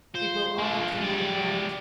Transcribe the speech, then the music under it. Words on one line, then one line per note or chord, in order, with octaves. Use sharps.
It will all come out right.
F4 C5
A#3 D4
G#3 G4 D5